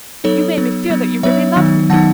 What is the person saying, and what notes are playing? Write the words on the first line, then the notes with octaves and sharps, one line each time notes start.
You made me feel that you really loved me.
F#3 B3 D#4 A4 C#5
F#3 B3 D#4
F#3 B3 D#4
F#3 B3 D#4 C#5 E5
D#3 F#3 B3 D#4
D#3 F#3 B3 D#4 F#5 A5